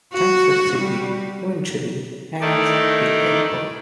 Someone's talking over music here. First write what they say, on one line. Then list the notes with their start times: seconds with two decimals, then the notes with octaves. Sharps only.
Kansas City eventually annexed the airport.
0.14 F#4
0.79 G3
2.41 D#3 A3 D#4 E4 D5